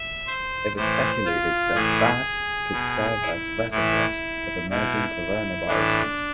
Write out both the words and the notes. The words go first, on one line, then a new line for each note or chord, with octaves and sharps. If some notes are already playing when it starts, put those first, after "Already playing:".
It was speculated that bats could serve as reservoirs of emerging coronaviruses.
Already playing: E5
C5
A2 E3 C5
F4
A2 E3 G#4
B2
E4
A2 E3 E4
B2 E4
A2 E3 D4